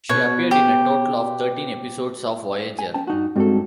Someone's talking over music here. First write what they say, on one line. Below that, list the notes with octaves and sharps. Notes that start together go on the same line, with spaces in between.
She appeared in a total of thirteen episodes of "Voyager".
B2 C#5
G4
G#5
C#4 G5 A5
G2 D#4 F#4
G2 G#3 C4 D#4 F#4 A4